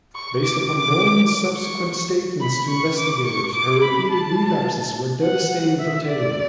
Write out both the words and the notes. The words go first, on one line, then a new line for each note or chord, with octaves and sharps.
Based upon Normand's subsequent statements to investigators, her repeated relapses were devastating for Taylor.
C#6
D6
D6
C#6
B5
C#6
D6
C#6
D6
B5
A5
F#5
E5
D5